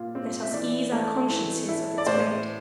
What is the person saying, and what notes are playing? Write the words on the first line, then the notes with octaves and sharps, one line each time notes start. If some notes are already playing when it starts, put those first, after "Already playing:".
Let us ease our consciences of its weight.
Already playing: A#2 F4
C4
E5
E3 D5
A3
E3
E4
D5
A2 C5